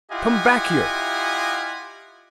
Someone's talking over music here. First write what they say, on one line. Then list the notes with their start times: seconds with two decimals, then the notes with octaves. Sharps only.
Come back here!
0.11 E4 F4 G4 D#5 F#5 G#5